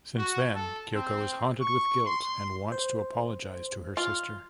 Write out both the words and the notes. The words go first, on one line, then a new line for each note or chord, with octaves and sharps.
Since then, Kyoko is haunted with guilt and wants to apologize to her sister.
F#4
A4
C4
C#6
C6
C5
F4